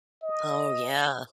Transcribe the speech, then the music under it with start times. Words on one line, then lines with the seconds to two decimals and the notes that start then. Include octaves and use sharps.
Oh, yeah.
0.23 D#5